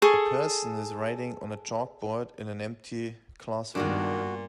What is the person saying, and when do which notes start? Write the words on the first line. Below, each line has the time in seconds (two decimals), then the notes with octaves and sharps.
A person is writing on a chalkboard in a empty classroom.
0.02 G#4 A4 C#6
3.75 G2 A#2 D#3 G#3 B3 D4 F#4